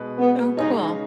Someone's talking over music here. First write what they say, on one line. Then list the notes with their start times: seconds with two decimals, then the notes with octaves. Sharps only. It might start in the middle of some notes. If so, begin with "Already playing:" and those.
Oh, cool.
Already playing: B2 G#3 D#4 B4
0.18 B3
0.57 C#3 G#3 C#4 D#4 G#4 C#5